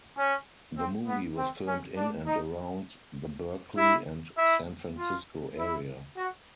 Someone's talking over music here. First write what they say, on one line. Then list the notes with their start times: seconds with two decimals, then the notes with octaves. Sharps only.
The movie was filmed in and around the Berkeley and San Francisco area.
0.16 C#4
0.77 C4
1.06 B3
1.36 C4
1.66 C#4
1.96 D4
2.26 D#4
3.76 E4
4.36 E4
4.96 F4
5.57 E4
6.16 F#4